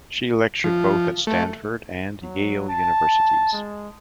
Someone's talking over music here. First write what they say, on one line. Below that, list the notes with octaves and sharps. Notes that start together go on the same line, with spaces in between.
She lectured both at Stanford and Yale Universities.
F3
A3
F#3
A5
G#3